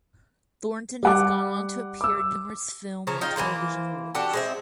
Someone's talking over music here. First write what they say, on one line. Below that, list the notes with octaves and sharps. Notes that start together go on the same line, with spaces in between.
Thornton has gone on to appear in numerous film and television roles.
G3 F#5 D6
D6 E6
C#3 F3 C#5 A#5
D#4 F4 G5
E3 G3 A#3 C5
D4 F#4 G4 A4
G#3 C4 E5